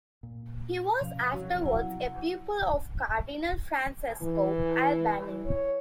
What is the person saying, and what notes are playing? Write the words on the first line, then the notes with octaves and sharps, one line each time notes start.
He was afterwards a pupil of Cardinal Francesco Albani.
A#2
B2 F3 C#4 F5
C2 F#3
E4 F#5
E3
C#5